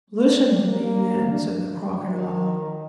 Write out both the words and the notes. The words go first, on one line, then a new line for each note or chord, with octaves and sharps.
"Listen to me, then," said the Crocodile.
D4
A#3
D4
D#3